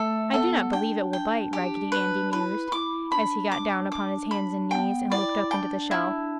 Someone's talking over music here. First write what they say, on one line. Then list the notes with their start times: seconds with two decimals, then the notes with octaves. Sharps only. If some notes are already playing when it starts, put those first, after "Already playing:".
"I do not believe it will bite," Raggedy Andy mused, as he got down upon his hands and knees and looked up into the shell.
Already playing: A3 A4
0.33 B3 A4
0.72 D4 G5
1.13 G5
1.53 G4
1.92 B4
2.32 E4 B4
2.72 E4 D6
3.11 D4 B5
3.52 D6
3.92 D6
4.31 B5
4.71 B3 G5
5.11 E4 D5
5.51 D4 G5
5.91 E4